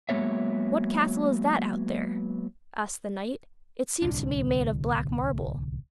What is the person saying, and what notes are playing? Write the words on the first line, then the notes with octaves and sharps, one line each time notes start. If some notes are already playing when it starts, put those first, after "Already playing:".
'What castle is that out there,' asked the knight; 'it seems to be made of black marble?'
F#3 G#3 A#3 B3 C#5 E5
D1 C2 D3 D4